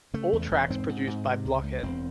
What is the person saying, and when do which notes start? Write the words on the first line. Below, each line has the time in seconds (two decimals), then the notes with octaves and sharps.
All tracks produced by Blockhead.
0.14 C#3 A3
0.33 E2
0.51 E1
0.70 G#2 C4
0.89 G#2
1.07 G#2
1.26 C3
1.45 C#2
1.63 C#2
1.83 E1 C4